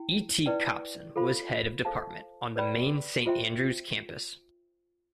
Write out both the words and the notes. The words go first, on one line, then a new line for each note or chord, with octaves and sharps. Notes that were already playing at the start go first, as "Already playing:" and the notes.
E. T. Copson was Head of Department, on the main Saint Andrews campus.
Already playing: E4 G5
E4 B4 D5 G5
F4 A4 C5 F5 B5
A4 C5 F5 A5
B4 D5 G5 B5
F4 C5 E5 G5 C6